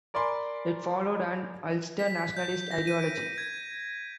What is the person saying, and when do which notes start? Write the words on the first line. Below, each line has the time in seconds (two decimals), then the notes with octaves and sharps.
It followed an Ulster nationalist ideology.
0.14 A#4 D5 G#5 B5 C6
1.99 B6
2.37 G6
2.71 A#6
2.87 D#7
3.03 D7
3.38 G#6